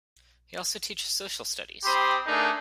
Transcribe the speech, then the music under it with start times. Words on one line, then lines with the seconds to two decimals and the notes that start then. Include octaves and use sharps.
He also teaches social studies.
1.84 C4 G4 B5 C6 D#6
2.26 A3 D4 D#4 G#4 A#4